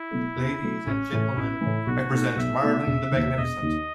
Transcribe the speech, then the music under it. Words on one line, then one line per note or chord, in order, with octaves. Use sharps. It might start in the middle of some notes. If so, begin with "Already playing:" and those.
Ladies and gentlemen, I present Marvin the magnificent.
Already playing: E4
B2 F#3 A3
E2
B2 F#3 A3
A1 C#4
A2 E3
A1 E4
A2 E3
B1 F#4
B2 A3 D#4
B1 E5
B2 A3 D#4
E1
D#2 D#3
E1 D#5
D#2 D#3